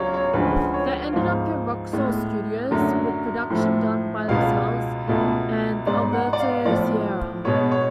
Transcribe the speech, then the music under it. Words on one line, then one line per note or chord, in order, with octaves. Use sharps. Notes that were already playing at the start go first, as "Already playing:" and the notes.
They ended up in Rocksoul Studios, with production done by themselves and Alberto Seara.
Already playing: C#2 C#3 F#3 C#5 D5 F5
C#5
D2 C#3 F3 G#3 B4
C#5
G#2 F3 B3 F5
A2 G#3 B3
F#2 D3 F#3 A3
A2 F3 A3
C#2 B2 G#3 B3 F5
C#2 B2 A3
G#2 G#3 B3 D5
F#5
D5
F5
A2 F3 B3 D5
B2 G#3 B3 C#5
C#5